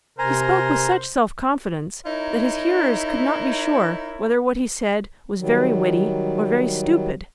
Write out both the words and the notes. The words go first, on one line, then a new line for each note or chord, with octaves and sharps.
He spoke with such self-confidence that his hearers could not be sure whether what he said was very witty or very stupid.
C3 A#4 C5 G#5 A#5
D#4 E4 A#4 C#5
D#3 F#3 G3